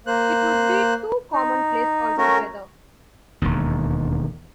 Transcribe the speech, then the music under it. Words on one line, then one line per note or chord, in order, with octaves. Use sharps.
It would be too commonplace altogether.
A#3 C5 F#6
D#4
A3 C#4 F#4 A#4
E1 D#2